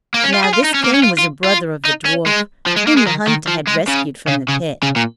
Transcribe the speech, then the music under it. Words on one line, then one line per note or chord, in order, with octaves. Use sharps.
Now this King was a brother of the dwarf whom the hunter had rescued from the pit.
A#3
C#4
F4
G#4
F4
D#4
C#4
A#3
C#4
F4
F4
F4
D#4
C#4
G#3
F3
G#3
A#3
G#3
D#3
D#3
F3
G#3
C#3
C#3
C#3
C#3
A#2